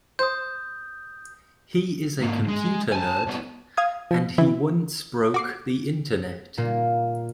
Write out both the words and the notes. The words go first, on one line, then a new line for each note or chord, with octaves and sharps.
He is a computer nerd, and he once "broke" the Internet.
C5 D#6 G6
G#2 A#3
G#3
G#5 A5
C2 B3
F5 D#6 G#6
F3
E3 E4
F#4 D6 C7
A#2 A#3